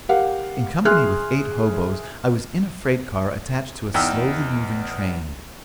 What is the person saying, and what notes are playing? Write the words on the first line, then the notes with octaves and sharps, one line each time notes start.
In company with eight hoboes, I was in a freight-car attached to a slowly moving train.
G4 A#4 F5 F#5
G#4 E5 C6 F6 F#6
E2 D#4 G5 E6 F6